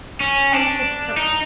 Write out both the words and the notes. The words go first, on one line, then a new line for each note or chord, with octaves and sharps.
I was prep
C#4
D4
D#4